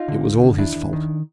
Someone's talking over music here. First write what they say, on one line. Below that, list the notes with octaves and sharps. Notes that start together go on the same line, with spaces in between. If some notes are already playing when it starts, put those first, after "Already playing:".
It was all his fault.
Already playing: D#4 F4
D3
D2
D3
D#2 D4 E4
D#2
D#3